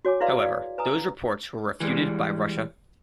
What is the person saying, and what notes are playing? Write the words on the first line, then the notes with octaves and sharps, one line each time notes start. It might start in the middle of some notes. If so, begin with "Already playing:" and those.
However, those reports were refuted by Russia.
F#4 C#5 G#5 D6
E4 G#4 B4 D5 F5 C6
D5 F5
B4 G#5 A#5 D#6
E3 G3 G#3